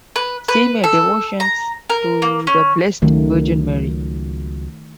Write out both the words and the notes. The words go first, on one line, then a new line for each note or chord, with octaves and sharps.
See May devotions to the Blessed Virgin Mary.
B4
B4
A4
A#5
A#4
A#3
C#4
C#2 D#3 F#3 A3 C#4